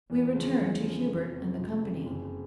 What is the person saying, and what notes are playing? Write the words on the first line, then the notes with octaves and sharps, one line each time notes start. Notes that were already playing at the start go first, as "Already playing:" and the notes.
We return to Hubert and the company.
E2
C#3 F3 G#3
E2
C#3 F3 G#3
F1
F2 C#3
F1
F2 C#3
F#1